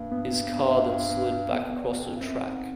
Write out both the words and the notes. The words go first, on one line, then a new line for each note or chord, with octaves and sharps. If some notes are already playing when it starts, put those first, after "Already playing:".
His car then slid back across the track.
Already playing: G2 A#3
B3
F2 B3
E2
F2
G2
F#2 C4
G#2